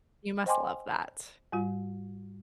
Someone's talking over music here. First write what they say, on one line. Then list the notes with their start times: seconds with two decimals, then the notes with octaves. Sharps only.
You must love that.
0.46 C5 D#5 G5 G#5 C6 D6
1.52 G#2 G3 F4